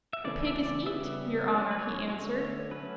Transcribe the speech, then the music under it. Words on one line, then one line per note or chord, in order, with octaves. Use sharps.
"The pig is eat, your honor," he answered.
E5
C#3 E3 A3 C#4 D5
E5
D5
C#3 G3 B3 E5
F#3 C#4 D5
B4
C#5
D3 A3 C#4 C#5
F#3 A3 C#4 B4